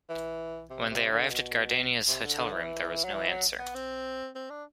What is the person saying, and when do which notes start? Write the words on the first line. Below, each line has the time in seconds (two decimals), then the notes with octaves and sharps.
When they arrived at Gardenia's hotel room, there was no answer.
0.09 E3
0.70 C3
0.90 C3
1.11 D3
1.31 B2
2.08 C3
2.23 D3
2.38 D3
2.52 E3
3.04 F#3
3.14 E3
3.29 F#3
3.59 B3
3.75 C4
4.35 C4
4.50 D4